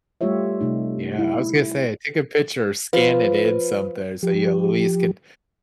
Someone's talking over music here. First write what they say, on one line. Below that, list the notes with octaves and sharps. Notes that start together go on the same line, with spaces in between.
Yeah, I was gonna say, take a picture or scan it in something so you at least could
G3 A3 F4 G4 C#5 E5
C3 A3 D#4
E4
F3 B4
F3 G4